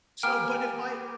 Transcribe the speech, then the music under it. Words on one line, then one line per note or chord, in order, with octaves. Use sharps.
So, but if I
A#3 G4 G5 G#5 F6